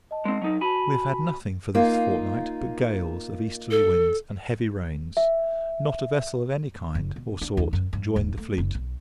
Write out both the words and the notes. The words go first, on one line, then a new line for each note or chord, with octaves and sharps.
We have had nothing, for this fortnight, but gales of easterly winds, and heavy rains; not a vessel of any kind, or sort, joined the fleet.
D#5 A5
G#3 C4
F#3 D#4
F#4 G#5 A5 B5
A#3 D#4 F4
A4
E5
F#1
B2
D4
D#2
F#2
G2
D#1
A3
F#1
B1